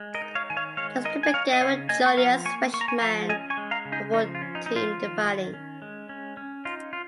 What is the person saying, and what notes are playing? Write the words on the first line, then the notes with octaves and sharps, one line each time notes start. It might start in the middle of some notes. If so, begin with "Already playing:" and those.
The split began with Joliet's Freshmen football team dividing.
Already playing: G#3
A#4 D#5
D#4
C#5 F5
D#3 G#5
C#5 F5
G#3 C#5 F5
D#4 A#4 D#5
G#5
D#4 C#5 F5
D#5
C#3 C#5 F5
A#3 D#5 G#5
C#6
F3 F5 A#5
A#3 G#5 C#6
A#3 C#6
A#5
G#5 C#6
F3 F5 A#5
C#4 D#5 G#5
G#5 C#6
G#3
F5 A#5
C#3
D#4 G#4
F3 D#4
F4
C#4
D#4
F3 D#4
F4
D#3
D#3
C#4
G#3
C#4
C#4
D#4 F4
F4